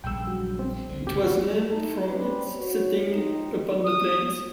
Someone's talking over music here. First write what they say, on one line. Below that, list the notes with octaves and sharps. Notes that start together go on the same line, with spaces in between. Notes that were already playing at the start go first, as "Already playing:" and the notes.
It was named from its setting upon the plains.
A#1 C#3 G3 G5 E6
F#3 F#4
C4
D2 D3
E1 C#2 F#2 G4
F#4
D#4 E4 A4
C4 C#4 G4 B4 C5 D5
F#4 C#5
D#3 F3 C4 D#4
D#6